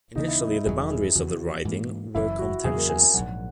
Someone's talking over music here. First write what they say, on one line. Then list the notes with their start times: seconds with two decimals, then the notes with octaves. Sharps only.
Initially, the boundaries of the riding were contentious.
0.16 D#2 C#3 E3 A#3 D#4
0.28 E4
0.41 D#4
0.53 E4
0.65 E1 E2 D#3 F#3 G#4
0.90 G#4
1.15 E2 C#3 E3 F#4
1.65 G#2 E3 A#3
2.15 F#1 F#2 E3 E4
2.39 F#4
2.64 E2 C#3 F#3 A#3 G#4
2.77 A#4
2.89 G#5
3.02 G#5
3.14 A#1 G#2 D#3 F#3 F#5